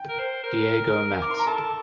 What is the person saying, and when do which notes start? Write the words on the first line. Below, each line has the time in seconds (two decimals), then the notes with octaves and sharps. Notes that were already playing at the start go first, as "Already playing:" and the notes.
Diego Mat.
Already playing: G5
0.09 A#4
0.19 C5
0.43 A#4
1.22 D6
1.30 C6
1.39 A#5
1.47 A4 A5